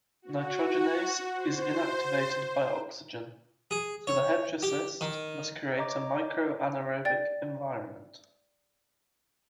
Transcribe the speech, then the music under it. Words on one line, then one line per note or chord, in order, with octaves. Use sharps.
Nitrogenase is inactivated by oxygen, so the heterocyst must create a microanaerobic environment.
F#4
C5
G#4
C#5
G4
D#3
C#5 D#5 A#5 D6
D5 G5 A6